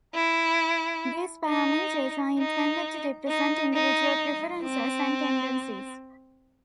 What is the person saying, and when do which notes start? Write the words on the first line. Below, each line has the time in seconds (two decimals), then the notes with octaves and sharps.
These parameters are intended to represent individual preferences and tendencies.
0.15 E4
1.49 D#4
2.38 D#4
3.28 D#4
3.74 D#4
4.63 C4